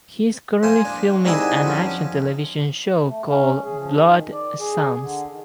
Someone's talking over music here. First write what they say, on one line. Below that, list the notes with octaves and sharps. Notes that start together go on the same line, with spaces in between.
He is currently filming an action television show called "Blood Psalms".
A#3 G#4 C5
D4
C3 D#3 D4 E4 F#4 G#4
F#2 F3 C#4
A3
C#4
G#4
F3
D#3
D5
G#4
D3
D#3